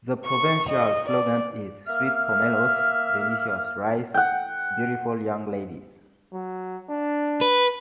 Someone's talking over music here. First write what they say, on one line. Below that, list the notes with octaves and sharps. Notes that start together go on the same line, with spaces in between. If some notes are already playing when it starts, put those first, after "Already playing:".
The provincial slogan is "Sweet pomelos, delicious rice, beautiful young ladies".
C#6
D#5
D5
A#3 E5 F6
F#5 G5
F#3
D4
B4